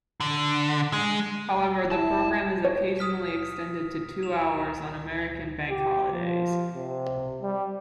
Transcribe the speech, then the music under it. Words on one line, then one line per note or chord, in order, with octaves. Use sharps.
However, the programme is occasionally extended to two hours on American bank holidays.
D3
G#3
E4 A5
C#5
D#6 F6 B6
E7 F7
G4
F3
C3
G3